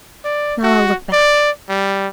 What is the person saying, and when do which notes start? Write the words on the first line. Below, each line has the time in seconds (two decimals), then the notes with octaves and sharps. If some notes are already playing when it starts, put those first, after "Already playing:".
Now I'll look back.
0.24 D5
0.63 F#4
1.12 D5
1.69 G3